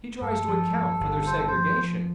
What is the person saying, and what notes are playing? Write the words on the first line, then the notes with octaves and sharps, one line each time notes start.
He tries to account for their segregation.
G2 A4
F3
G2
G1
G2 C5
A4
C5
F3
F3